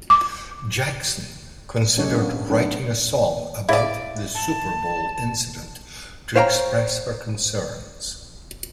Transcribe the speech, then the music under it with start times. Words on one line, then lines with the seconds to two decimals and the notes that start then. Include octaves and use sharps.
Jackson considered writing a song about the Super Bowl incident to express her concerns.
0.10 D6
1.97 F#3 G#3 C#4 G4 A4 C#5
2.12 A#3 B3 D4
2.50 F#3 G#3 A3 B3 D4 D#4
3.69 E4 G#4 D5 E5 F5
4.35 A5
6.36 C5 C#5 F5 G5 G#5 A#5